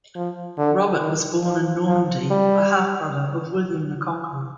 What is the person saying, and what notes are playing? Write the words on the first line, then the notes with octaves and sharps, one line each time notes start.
Robert was born in Normandy, a half-brother of William the Conqueror.
F3
D3
D#3
F3
F3
G3